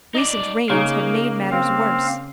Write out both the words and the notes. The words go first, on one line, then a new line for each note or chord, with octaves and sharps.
Recent rains had made matters worse.
D#4 D5
C#3 A#3 D#4
C4 F5